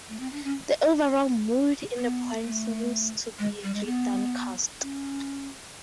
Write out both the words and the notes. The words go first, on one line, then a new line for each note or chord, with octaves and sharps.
The overall mood in the poem seems to be a bit downcast.
A3
C4
D4
C#4
B3
A3
G#3
G3
G#3
B3
C#4